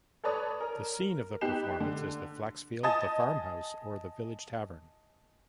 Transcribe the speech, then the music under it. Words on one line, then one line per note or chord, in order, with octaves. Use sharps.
The scene of the performance is the flaxfield, the farmhouse, or the village tavern.
A4 B4 C#5 D5 A5 D#6
A#4 A#5
B3 D#4 G4 F#6 C7 E7
D3
D#5 G#5 A5 D#6 A6